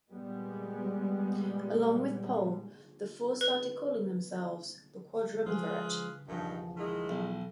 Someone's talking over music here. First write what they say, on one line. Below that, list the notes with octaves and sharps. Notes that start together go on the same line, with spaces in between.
Along with Pohl, the four started calling themselves the "Quadrumvirate".
A#2 G3 G#3 B3
B4
F3 F#3 G#3 F4 G#4 B4
E1 E2 G2 D#3 F3 D#4
D#3 G#3 E4
B1